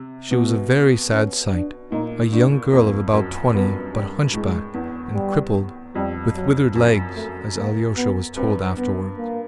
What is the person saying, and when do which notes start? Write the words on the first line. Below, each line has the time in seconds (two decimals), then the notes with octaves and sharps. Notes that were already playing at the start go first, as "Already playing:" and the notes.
She was a very sad sight, a young girl of about twenty, but hunchback and crippled "with withered legs," as Alyosha was told afterwards.
Already playing: C3
0.31 B2 B3
1.12 C#4
1.52 D4
1.92 A#2 D#4
2.32 A2 D4
2.73 F2 A#3
3.13 F#2
3.53 G2 B3
3.93 G3
4.34 A2 G#3
4.74 E2
5.14 G3
5.95 F2 G3
6.35 F#3
6.75 F#2
7.16 A3
7.56 A#3
7.97 B3
8.36 G2 C4
8.77 B3
9.17 A#3